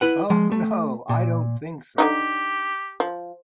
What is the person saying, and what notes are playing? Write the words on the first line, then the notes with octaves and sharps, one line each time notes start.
Oh, no, I don't think so!
E4 B4 F#5
F3 G#3
A3
A#2
D3 D4 D#4 G4
F3